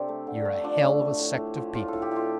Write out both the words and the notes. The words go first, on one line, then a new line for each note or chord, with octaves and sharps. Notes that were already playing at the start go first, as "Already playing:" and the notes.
You're a hell of a sect of people.
Already playing: C3 C4 D4 G4 A4
A3
D3
A3
F3 D4
A3
A3
A2
A2
F3
A2 F4
A2 A4
G4
A2 F4